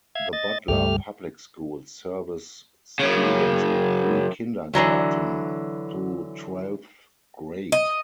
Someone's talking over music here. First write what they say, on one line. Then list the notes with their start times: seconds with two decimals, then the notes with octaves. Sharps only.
The Butler Public Schools serves students in pre-Kindergarten through twelfth grade.
0.15 E5 F5 G#6
0.33 D#5 A6
0.68 C#2 G2 G3 A3 G4 F6
3.00 F#2 C#3
4.74 D3 E3 F#3 A3
7.72 D#5